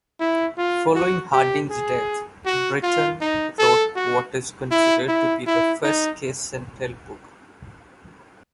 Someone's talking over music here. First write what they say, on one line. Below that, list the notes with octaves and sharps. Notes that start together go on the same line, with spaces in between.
Following Harding's death, Britton wrote what is considered to be the first kiss-and-tell book.
E4
F4
F#4
G4
G#4
F#4
F4
D#4
A4
F#4
E4
E4
E4
D#4